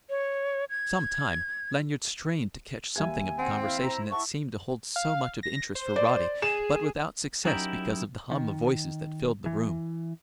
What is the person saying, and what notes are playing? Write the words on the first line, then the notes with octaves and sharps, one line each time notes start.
For some time Lanyard strained to catch something of the conversation that seemed to hold so much of interest for Roddy, but without success because of the hum of voices that filled the room.
C#5
G#6
D#2 E5 G#5 G#6
C4 F#5
E4 F5
C5 A#5
E4 E5 F#5 A5 C#6
F5
A#6
C5
D5
G#4 E7
F#3 C#4 D#4 E4 G4 A#4
D#3
E3